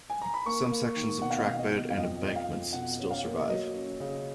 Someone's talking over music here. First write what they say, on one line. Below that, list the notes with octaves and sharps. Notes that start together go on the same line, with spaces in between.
Some sections of trackbed and embankments still survive.
G#5
A#5
B5
A#3 C#6
A#3
D#3
B2 F#5
F5
D#5
B2 F5
D#5
B2
F5
F2 D#5
F2 D#5
F5
F2
B2 F#5
C#4
F5
A#3
F#3 D#5
C#4
C#3